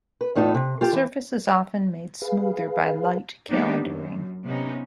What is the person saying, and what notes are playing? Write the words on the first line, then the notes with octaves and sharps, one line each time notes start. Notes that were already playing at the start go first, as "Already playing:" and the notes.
The surface is often made smoother by light calendering.
B4
E2 A2 D#4 F4 A4
C3
F4 G4 A4
E3
G#4 B4 F5
G#3 A#3 B3 D4 D#4 G4
F#2
C3 B3 C#4 D#4